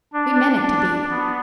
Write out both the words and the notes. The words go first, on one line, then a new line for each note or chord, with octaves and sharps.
We meant it to be.
D4
D4
B3